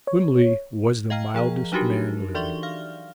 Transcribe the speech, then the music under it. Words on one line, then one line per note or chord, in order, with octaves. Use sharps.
Wimley was the mildest man living.
C#5
D#5 F5 G5 A#5 F6
F3 G#4 A#5
F#3 D4 D#4 F#4 G4 A#4
E3 D5 E5 C6 C#6 G7
F5 F6